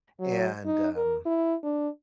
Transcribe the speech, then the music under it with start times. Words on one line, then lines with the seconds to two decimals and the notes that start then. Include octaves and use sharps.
And, um,
0.20 F#3
0.66 D#4
0.97 A#4
1.26 E4
1.63 D4